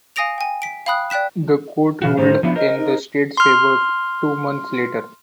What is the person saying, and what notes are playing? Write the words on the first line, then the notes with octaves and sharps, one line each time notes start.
The court ruled in the state's favor two months later.
F5 G#5 D#6 A#6 D7 F7
G5 G#5
B6 D7
F5 G5 B5 D#6 F#6
D5 G5 F#6 B6 E7
B2 E3 F#4 F5
A2 D#3 G3 C5
F3 B3 D4 E4
A#4 C5 D#5
D#4
C6 F6